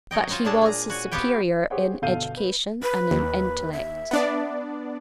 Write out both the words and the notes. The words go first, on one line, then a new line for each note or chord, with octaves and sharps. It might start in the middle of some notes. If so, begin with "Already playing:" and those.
But he was his superior in education and in intellect.
F#3 C#5 D#5 G5
F4 C5 C#5 D#5
A#2 G#3 D4 G#4 A4 A5
G#4 A#5
F#4 C#5 G#5
B3 C4 F4 G4 C#5 G5
G4 G#4 C5 C#5 F#5 G5
G1 B2 A4 F5 G6 D#7
B4
B4
D#2
E5
B3 D4 D5